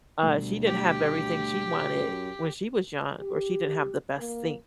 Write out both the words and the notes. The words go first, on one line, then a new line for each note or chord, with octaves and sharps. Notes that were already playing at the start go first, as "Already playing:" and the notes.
uh, she didn't have everything she wanted when she was young, or she didn't have the best things.
D2 B2 G3 A3
G4
F#2
G4
A#3